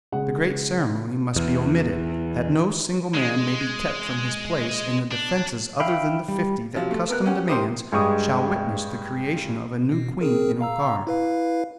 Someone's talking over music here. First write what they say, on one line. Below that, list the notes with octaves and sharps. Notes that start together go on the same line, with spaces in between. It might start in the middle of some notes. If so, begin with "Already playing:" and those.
The great ceremony must be omitted that no single man may be kept from his place in the defenses other than the fifty that custom demands shall witness the creation of a new queen in Okar.
C#3 G#3 F#5
E2
G#3
D4
E5 F5 G5 B5
G3
C3 F3 F#3
A3
B3 A#4 F#6
C#4 G4 F#5
G4 A#4 C5 D6 D#6
G2 G#3 C#6 D#6
B2
C4 G#4 A#4
F5 A#5 E6
E4 B4 F5